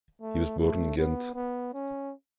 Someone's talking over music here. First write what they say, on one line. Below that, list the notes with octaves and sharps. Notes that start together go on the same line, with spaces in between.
He was born in Ghent.
A3
A3
B3
B3
C#4